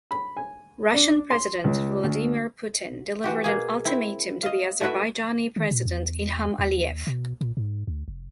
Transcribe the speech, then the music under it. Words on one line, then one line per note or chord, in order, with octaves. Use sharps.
Russian president Vladimir Putin delivered an ultimatum to the Azerbaijani president Ilham Aliyev.
B5
G#5
D4
C6
C#2
D2
E3 F#4 G4
B2 A#3 G#4
C4 E4
D#5 F5
A3 E4 F#4 B4 E5
D#3
A#2
E2
D#2
B2
A#2
G#2
D2
F1